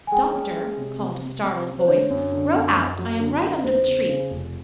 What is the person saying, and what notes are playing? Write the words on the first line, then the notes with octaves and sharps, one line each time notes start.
"Doctor," called a startled voice, "row out; I am right under the trees."
G#5
G#3 G5
C#4
G#3
C3
C3
C3
C3
C#4
C5
D3 C#5
F#2
D3
F#2
F#2
F#3
D3
B3
E2 C5
C#3
C#3
F1